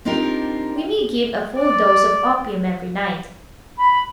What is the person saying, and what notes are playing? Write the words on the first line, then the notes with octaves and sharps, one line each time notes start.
We may give a full dose of opium every night.
C4 D4 D#4 F4 G4 A#4
D5
B5